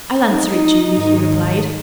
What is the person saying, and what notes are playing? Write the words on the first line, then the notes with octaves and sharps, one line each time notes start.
"I'll answer it, Julie," he replied.
D#4
G#2 D#3